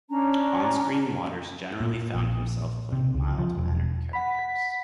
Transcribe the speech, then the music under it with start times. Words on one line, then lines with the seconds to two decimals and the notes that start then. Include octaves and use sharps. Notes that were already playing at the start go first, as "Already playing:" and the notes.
On screen Waters generally found himself playing mild mannered characters.
0.10 C#4 D4 A#5
1.81 A#2
2.15 A#1
2.92 C3
3.14 C#2
3.38 F3
3.57 E1
4.13 F#5 B5 B6